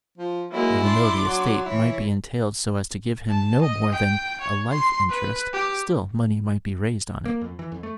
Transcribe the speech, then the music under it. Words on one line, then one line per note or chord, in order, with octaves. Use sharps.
Even though the estate might be entailed so as to give him no more than a life-interest, still money might be raised on it.
F3
F#3 G#3 A#3 E4
D4 C6 D6
F#3
E3 E4 C#5
A5
D#5
G5
C#5
C6
B4
G4
A#3
F2
E3
F2
A3